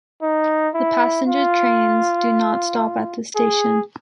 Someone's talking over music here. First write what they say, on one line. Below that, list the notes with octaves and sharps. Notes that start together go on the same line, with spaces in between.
The passenger trains do not stop at this station.
D#4
E4
F4
G#4